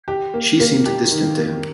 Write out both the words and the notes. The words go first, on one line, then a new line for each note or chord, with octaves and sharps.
She seemed distant to him.
G4
A#3
A#3
G4
D#3
A#3